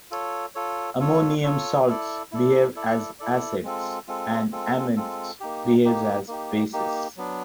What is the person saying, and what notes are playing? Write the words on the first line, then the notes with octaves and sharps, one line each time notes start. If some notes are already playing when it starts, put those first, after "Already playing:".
Ammonium salts behave as acids, and amides behave as bases.
F4 A4 C#5
F4 A4 C#5
F4 A4 C#5
F4 A4 C#5
E4 A4 D5
E4 A4 D5
E4 A4 D5
E4 A4 D5
G#3 C4 F4 A4
G#3 C4 F4 A4
G#3 C4 F4 A4
G#3 C4 F4 A4
A#3 D#4 G4
A#3 D#4 G4
A#3 D#4 G4
A#3 D#4 G4
F#3 B3 D4